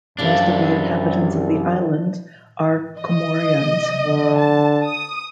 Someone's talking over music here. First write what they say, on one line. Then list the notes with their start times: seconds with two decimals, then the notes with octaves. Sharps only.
Most of the inhabitants of the island are Comorians.
0.18 C2 F#2 E3 D4 F4 G#4 D5
3.00 D#5
4.05 D3
4.35 A5
4.85 D#6